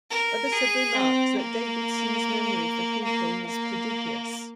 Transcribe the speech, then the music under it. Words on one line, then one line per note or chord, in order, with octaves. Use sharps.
Others have remarked that Davidson's memory for people was prodigious.
A#4
G#4
C4
A#3
A#3
A#3